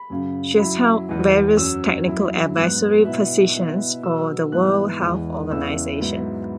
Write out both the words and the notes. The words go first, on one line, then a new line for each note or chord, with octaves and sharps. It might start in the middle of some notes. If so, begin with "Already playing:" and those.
She has held various technical advisory positions for the World Health Organization.
Already playing: B5
F#2 C#3 F#3
F#2 F#3 E4 B5
E2 E3 G#3
F#2 F#3 C#4 E6
F#2 F#3 E4
G#2 F#3 B3 F#6
B2 B3 E4 E5
B2 B3 E4
B2 F#3 B3 E6
G#2 E3 B3 E4 F#6
E2 E3 G#3 B3 E4
E2 C#3 G#3 B3 E4 E6
G#2 F#3 B3 E4